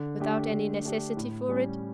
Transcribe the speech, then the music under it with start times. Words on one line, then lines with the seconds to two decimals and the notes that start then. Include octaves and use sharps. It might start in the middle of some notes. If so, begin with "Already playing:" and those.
"Without any necessity for it?"
Already playing: D3
0.20 A3 D4 G4
0.51 D3
0.85 A3 D4 G4
1.17 A2
1.49 G3 C#4